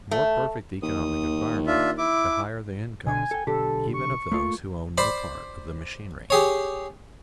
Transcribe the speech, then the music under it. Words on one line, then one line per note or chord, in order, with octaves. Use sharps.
The more perfect the economic environment, the higher the incomes even of those who own no part of the machinery.
A3
D#2 D#6
D4 F4 E5
E4 D6
B2 D3 G#5
A4 G5
B1 D3 G4 A4
C#6
A3 A#3 F4
C5 D5 B5
G4 G#4 C#5